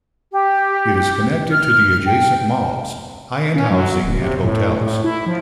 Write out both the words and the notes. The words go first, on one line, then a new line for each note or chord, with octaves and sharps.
It is connected to the adjacent malls, high-end housing and hotels.
G4
F6
G5
C#4
F#3
D1
C3
A2
A2
E4
F3